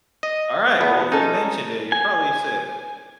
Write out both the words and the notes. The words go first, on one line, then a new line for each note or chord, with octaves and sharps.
Alright, well, if you mentioned it, you're probably sick."
D#5
E2 B3
C#4 D#4 A4
G#5